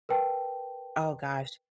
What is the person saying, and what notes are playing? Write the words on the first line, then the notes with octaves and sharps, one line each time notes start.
Oh gosh.
A#4 B4 G5 A5